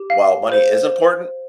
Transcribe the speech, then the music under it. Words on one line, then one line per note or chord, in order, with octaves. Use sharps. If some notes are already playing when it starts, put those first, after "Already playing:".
while money is important
Already playing: G4
F5
C5